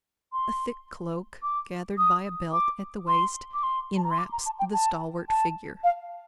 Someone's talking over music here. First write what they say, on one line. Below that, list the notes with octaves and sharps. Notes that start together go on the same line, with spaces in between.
A thick cloak, gathered by a belt at the waist, enwraps the stalwart figure.
C6
D6
D#6
D6
C6
D6
C6
A5
A#5
C6
D6
A#5
A5
G5
A5
A5
F5